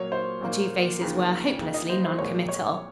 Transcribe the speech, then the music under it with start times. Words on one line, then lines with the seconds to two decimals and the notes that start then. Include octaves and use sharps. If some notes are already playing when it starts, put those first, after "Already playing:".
The two faces were hopelessly non-committal.
Already playing: A#2 F#3 A#3 C#5
0.12 C5
0.41 A#2 F#3 A#3
1.00 D#2 C#3 F3 A#3
1.59 D#2 C#3 F3 A#3
1.74 D#5
1.89 C5
2.04 C5
2.18 C2 A#2 G#3 C#5
2.49 C#5